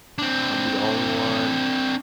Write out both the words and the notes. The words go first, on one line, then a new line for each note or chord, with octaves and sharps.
I'll be the only one
C4 D4